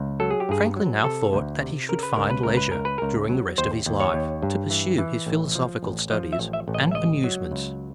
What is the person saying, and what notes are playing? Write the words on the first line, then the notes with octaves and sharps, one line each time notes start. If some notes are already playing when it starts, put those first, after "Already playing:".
Franklin now thought that he should find leisure, during the rest of his life, to pursue his philosophical studies and amusements.
Already playing: C#2
F#3 A4
G#4
G4
G2 G#4
F#3
C3 A4
D2
C3
C#3 A#4
B4
C#2 A#4
B4
C#2 A#4
B4
C#2 A#4
B4
C#2 A#4
F#3
D#2 C5
D#2
C#5
D#2
G2
E3
E3
A1
F3
A1
F3 D#5
E5
A1
E5
A1
D#5
E5
C#2 D#5
F#3
C#2